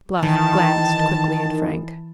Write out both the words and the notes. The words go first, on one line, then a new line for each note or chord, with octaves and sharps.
Bluff glanced quickly at Frank.
D#3 E3 A5